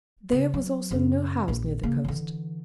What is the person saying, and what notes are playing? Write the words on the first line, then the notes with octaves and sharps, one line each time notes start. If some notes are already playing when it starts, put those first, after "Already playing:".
There was also no house near the coast.
C#3
F#3
F#2 C#3
A#1 A#2
C#3 A#3
D3 E3